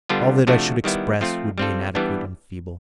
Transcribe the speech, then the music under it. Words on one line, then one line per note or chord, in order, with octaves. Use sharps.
All that I should express would be inadequate and feeble.
D3 G3 B3 D4 F4
C3 F3 A3 D4 F#4
D#3 G3 B3 E4
F3 A3 C4 F4
G3 C4 F4 A4
E3 G3 B3 D4